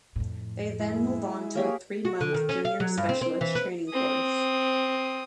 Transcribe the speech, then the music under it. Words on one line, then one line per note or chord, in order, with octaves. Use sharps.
They then move on to a three-month "Junior Specialist" training course.
F2 A2
G#3 E4
A#3 G4 G#4 C#5
F#4
D3
D#3
C#4
F5
F#3
G2
C4
C4
E3
B4
C4 D#6